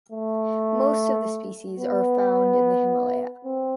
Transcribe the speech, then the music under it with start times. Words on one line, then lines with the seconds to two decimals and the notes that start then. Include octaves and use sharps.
Most of the species are found in the Himalaya.
0.12 A3
1.79 B3
3.45 C4